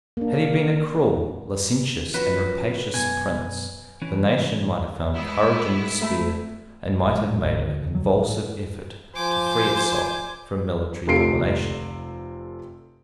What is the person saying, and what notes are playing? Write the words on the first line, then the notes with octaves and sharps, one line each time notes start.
Had he been a cruel, licentious, and rapacious prince, the nation might have found courage in despair, and might have made a convulsive effort to free itself from military domination.
A#3 D4
F3 C#4 F#4 B4
F#2 B2 G#5
E3 C#4
G#3 B3 E4
A3 E5 B5
G#1
G#3
A2
G#1
D2
D2
F#3
A1
F3 C5 G#5 D6
F1 C3 F4 A4 C7 D7